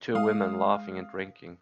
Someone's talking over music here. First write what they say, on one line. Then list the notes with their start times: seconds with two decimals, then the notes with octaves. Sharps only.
Two women laughing and drinking.
0.15 G#3 F5 D#6